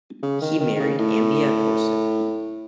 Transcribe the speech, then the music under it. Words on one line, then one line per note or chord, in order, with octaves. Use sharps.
He married Ambia Corson.
C#3
D#3
D#3
D#3
C#3
A2